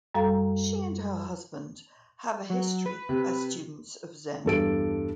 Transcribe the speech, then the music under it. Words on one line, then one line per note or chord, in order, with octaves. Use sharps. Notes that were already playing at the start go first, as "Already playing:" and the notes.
She and her husband have a history as students of Zen.
F#2 G3 A4 F5 A#5
F#3
B4
C3
E2 G2 A4 D7